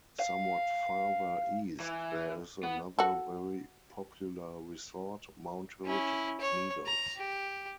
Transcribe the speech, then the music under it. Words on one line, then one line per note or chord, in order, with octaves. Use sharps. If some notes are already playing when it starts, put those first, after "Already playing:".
Somewhat farther east there is another very popular resort, Mount Hood Meadows.
F5
E3
B3
F#4 A4
C#4 E4
C#5
A#5
G4